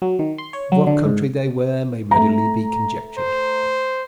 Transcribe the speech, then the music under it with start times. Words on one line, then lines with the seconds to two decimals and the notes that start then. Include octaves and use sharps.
Of what country they were may readily be conjectured.
0.02 F#3
0.19 D#3
0.38 C6
0.53 C#5
0.72 F#3
0.87 D3
1.05 G#2
2.11 A3 A#5
3.18 C5